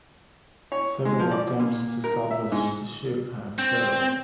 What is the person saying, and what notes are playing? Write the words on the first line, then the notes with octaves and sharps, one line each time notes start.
Several attempts to salvage the ship have failed.
C#5
G#3
F3
D5
A#2
A#4
E5
G#2
C4